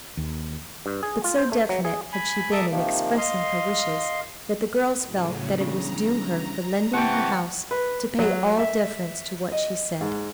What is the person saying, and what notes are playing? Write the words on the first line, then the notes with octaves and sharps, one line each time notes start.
But so definite had she been in expressing her wishes, that the girls felt that it was due her for lending her house to pay all deference to what she said.
D#2
G2
G#4
F4
C5
A3
F#3
G#4
G#5 B5
A4 E5 A5 A#5 D6 D#6
C3 D#3 F3 A#3
D#5 F5 C6
A2 C#3 F#3
E2 G2 C#3 A#5
C3 E3 F#5 G5 A5 C#6
B4
F#3
E5
D#5
G#2